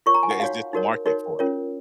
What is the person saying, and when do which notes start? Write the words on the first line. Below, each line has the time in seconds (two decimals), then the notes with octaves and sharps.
there is just a market for it.
0.06 F4 A#4 C#5 C#6
0.14 A#5
0.23 G#5
0.31 F#5
0.40 D#4 F#4 C#5 F5
0.73 D#4 F#4 A#4 C#5
1.06 D#4 F#4 A#4 C#5
1.39 C#4 F4 A#4 C#5